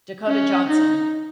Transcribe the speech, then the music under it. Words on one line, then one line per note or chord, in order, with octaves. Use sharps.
Dakota Johnson.
C#4
D#4